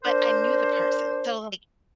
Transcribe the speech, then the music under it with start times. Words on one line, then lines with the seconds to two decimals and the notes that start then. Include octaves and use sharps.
but I knew the person. So, like,
0.04 D4 A#4 C5